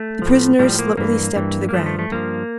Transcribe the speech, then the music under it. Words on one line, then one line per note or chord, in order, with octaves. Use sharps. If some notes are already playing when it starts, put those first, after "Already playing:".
The prisoner slowly stepped to the ground.
Already playing: A3
A2 F3
A2 F3 G3
A#3
G2 E3 A#3
G2 E3
A#3
G2 F3 A3
A3
A3
G2 F3 A#3